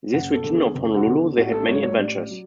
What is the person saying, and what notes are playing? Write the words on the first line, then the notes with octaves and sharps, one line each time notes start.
In this region of Honolulu, they had many adventures.
F#1 F#5
A4
E2 D3
G#4
F#1
F#4
E2 D3
A1 F#4
A4
G#2 F#3 C#5
C#5
A1 D5
F#3